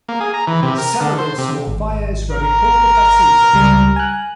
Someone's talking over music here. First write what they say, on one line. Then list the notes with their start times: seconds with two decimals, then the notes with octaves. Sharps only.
Several small fires were reported that season.
0.09 A#3
0.21 G#4
0.34 A#5
0.47 E3
0.63 C3
0.78 A#4
1.01 D3
1.18 C5
1.38 C3
1.68 G#1
2.32 A#4
3.54 C#2 G3
3.96 G#5 F#6